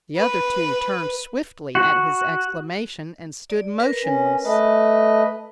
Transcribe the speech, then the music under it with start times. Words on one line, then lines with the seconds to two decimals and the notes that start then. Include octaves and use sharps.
The other two turned swiftly at his exclamation and stood motionless.
0.17 B4
1.75 F#4
3.50 D5
3.80 A#4 B4
4.05 C#4
4.45 A3 B4 D#5 A5